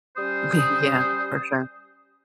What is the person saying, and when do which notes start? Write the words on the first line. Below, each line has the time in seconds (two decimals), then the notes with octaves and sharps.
Okay, yeah, for sure.
0.17 G3 C#4 C5 D#6